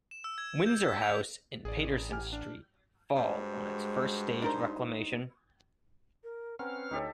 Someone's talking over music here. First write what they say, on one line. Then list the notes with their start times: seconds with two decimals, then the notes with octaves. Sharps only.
Windsor House and Paterson Street fall on its first stage reclamation.
0.11 E7
0.24 E6
0.38 G#6
0.66 G6
0.88 B6
1.02 F7
1.65 A1 G#4 D5
2.11 G4 G#5 F6
2.33 D4
3.16 G2 G#3 F#4 C5
4.42 D4 D#4 A#4 C5
6.24 A#4
6.59 C4 C#4 A#4 B4 F#5 F6
6.91 D2 D#4 G4 A4 C#5